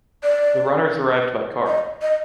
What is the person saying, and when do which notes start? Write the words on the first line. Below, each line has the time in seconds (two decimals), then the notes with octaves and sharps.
The runners arrived by car.
0.23 D5
1.67 D#5
2.02 D#5